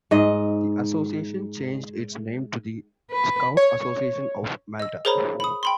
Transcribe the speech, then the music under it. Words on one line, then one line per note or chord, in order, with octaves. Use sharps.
The association changed its name to The Scout Association of Malta.
G#2 D#5
B4
C#5
D#5 E6
G#4 A#4 C5 C#5 A#5 B5
B5 D#6
G5 B5 C6